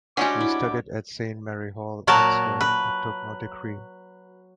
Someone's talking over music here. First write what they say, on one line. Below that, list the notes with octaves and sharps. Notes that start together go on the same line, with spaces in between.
He studied at Saint Mary Hall, Oxford, but took no degree.
G3 G#3 C#4 D4 F#4 F#5 G#5 D6
E4
A#2 F#3 F#4 A#4 A5
B4